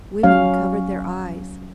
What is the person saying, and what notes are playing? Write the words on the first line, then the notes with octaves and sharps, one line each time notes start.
Women covered their eyes.
F#3 C#4 F5